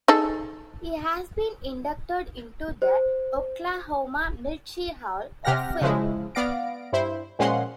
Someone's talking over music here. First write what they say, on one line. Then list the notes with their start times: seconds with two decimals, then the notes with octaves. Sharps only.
He has been inducted into the Oklahoma Military Hall of Fame.
0.08 D#4 G#4 A4
2.82 C5
5.45 C3 G4 F#5 F6 A#6
5.81 C#3 F3 G#3 E4
6.35 B3 D5 F5 A#6 D7
6.93 G2 E4 C5
7.39 A#2 F3 G#3 C#4 F#5 C6